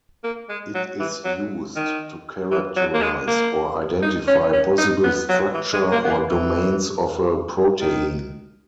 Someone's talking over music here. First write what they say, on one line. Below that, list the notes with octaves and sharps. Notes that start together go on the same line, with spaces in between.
It is used to characterize or identify possible structure or domains of a protein.
A#3
G#3
F#3
E3
F#3
D#3
E3
F#3
A#3
G#3
A#3
D#4
C#4
C#4
D#4
B3
F#3
E3
G#3
A#3
B3
A#3
E3
D#3